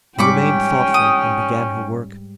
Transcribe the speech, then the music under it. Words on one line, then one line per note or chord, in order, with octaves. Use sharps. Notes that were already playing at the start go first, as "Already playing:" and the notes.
She remained thoughtful, and began her work.
G#2 G3 C#4 G5 B5 C#6 D6
D#6